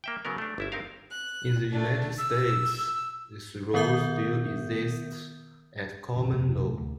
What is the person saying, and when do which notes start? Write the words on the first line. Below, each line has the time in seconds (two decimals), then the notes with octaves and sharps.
In the United States, this rule still exists at common law.
0.04 A#3 E5 G5
0.25 C#3 F#3 B3 A#4
0.38 A3 D4
0.58 G1 E4 E5
0.72 C4 D#4 G4 A#4 F5
1.10 F#6
1.72 A3 D4
2.18 E6
3.74 D#3 B3 A#4 E5 D#6 G6
6.15 G1 C#3 E3
6.31 F2 A#2 G#3 A#3
6.46 A#1 F2
6.60 A2 C#3
6.77 D2